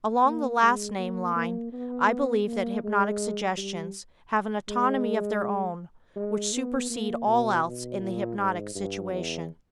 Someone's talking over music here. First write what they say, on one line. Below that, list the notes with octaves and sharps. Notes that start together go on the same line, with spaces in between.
Along the last-named line, I believe that hypnotic suggestions have an autonomy of their own which supersede all else in the hypnotic situation.
A#3
G#3
A#3
A#3
B3
A#3
G#3
G3
G#3
G#3
B3
A#3
B2
B2
A#2
G#2
G2
E2